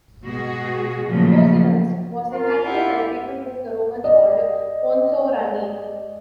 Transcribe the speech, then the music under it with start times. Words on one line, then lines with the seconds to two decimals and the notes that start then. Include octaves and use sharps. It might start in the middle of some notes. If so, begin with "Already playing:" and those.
Couserans was inhabited by a people whom the Romans called "Consoranni".
0.24 B2 G#3 F#4 G#4
1.07 A#2 C#3 F3 F#3 A3
2.33 F4 A#4
2.65 E4 G4 F#5
4.04 D5 D#5